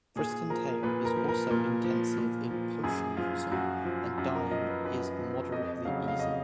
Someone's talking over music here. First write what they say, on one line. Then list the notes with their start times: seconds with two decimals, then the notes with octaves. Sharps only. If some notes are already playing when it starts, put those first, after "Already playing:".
"PristonTale" is also intensive in potion using, and dying is moderately easy.
0.16 A#2 G#4
0.50 F3 A#4
0.83 A#2 B4
1.05 A#4
1.16 F3
1.29 A#4
1.51 A#2
1.84 F3
2.18 A#2
2.51 F3
2.84 F#2 G#4
3.17 F3 F4
3.52 F#2 F#4
3.85 F3
4.18 F#2 F#4
4.35 A#4
4.51 F3 D#5
4.69 B4
4.85 F#2 B4
5.19 F3
5.52 F2 D#5
5.85 C#3 F#3 F5
6.08 F5
6.19 F2 D#5